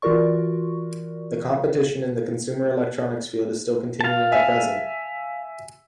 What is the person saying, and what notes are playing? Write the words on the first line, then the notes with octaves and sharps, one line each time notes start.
The competition in the consumer electronics field is still continuing at present.
E3 F4 F#4 A#4 D5 C#6
F5 A5
E5 G#5